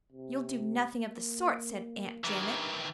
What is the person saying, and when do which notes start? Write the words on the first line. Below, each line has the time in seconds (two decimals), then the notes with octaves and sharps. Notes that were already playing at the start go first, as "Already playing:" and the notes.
"You'll do nothing of the sort," said Aunt Janet.
0.13 C3
1.09 A#3
2.24 G2 D#3 E3